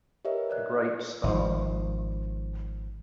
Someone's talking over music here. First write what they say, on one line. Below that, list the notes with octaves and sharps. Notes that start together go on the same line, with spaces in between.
A great star.
G4 A#4 B4 C#5 D#5 E5
C#5 D5 F#6
G#1 F3